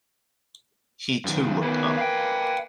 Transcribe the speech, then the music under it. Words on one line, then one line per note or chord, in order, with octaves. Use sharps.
He too looked up.
F#2 D#3
D#3 A#3 B3 B4 G#5
F5 G5